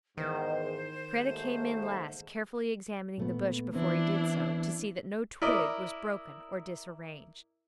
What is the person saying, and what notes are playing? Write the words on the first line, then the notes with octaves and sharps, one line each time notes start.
Kreta came in last, carefully examining the bush before he did so, to see that no twig was broken or disarranged.
E2 G#2 D#3 C5
D#2 G#2 A3
A#2 A3 B3
E3 B3 C4 D4 E4
E4 A#4 D5 D#5